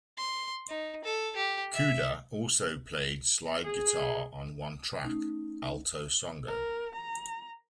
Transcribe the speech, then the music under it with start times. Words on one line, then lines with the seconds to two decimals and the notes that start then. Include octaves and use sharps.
Cooder also played slide guitar on one track, "Alto Songo".
0.17 C6
0.69 D#4
1.05 A4
1.37 G4
1.74 E5
3.65 G#4
5.04 A3 C#4 D#4
6.48 A#4
6.95 A#5